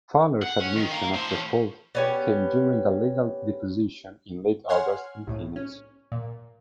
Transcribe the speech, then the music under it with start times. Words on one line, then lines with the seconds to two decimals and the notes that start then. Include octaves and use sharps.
Fowler's admission of default came during a legal deposition in late August in Phoenix.
0.42 F#5
0.60 C#4
0.77 D#3
0.92 F5 A#5
1.14 A2 C5
1.30 A2 C#4
1.95 B3 C#4 G4
4.69 C#5 F#5 G#5 C6 F6
5.27 C2 A2
5.56 C#4
6.12 A#2